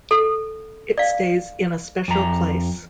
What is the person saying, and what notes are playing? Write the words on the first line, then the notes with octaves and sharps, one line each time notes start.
It stays in a special place.
A4
D5 F5
F2 A#5